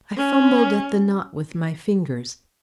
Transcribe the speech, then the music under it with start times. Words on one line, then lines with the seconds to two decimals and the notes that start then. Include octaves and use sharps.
I fumbled at the knot with my fingers.
0.17 C#4